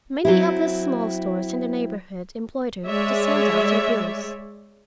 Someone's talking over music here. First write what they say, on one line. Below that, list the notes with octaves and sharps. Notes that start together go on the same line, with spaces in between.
Many of the small stores in the neighborhood employed her to send out their bills.
F#3 C4 E4
G#3 C#5 D5 E5